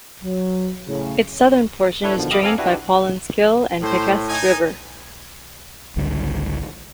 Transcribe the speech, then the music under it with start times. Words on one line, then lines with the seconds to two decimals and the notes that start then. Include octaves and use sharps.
Its southern portion is drained by Paulins Kill and Pequest River.
0.23 F#3
0.88 A2 C#3
2.03 D4 E4 A4 B4 C#5
2.18 B2 D3 D#3 F3
2.30 G4 D#5 F5 B5 D6
2.43 C4 A4 F5 G#5 A#5 D6
2.58 D4 E4 F#4 G4 B4
3.82 A2 C5
4.29 D#4 G#5
5.96 G#1 C#2 D3 G3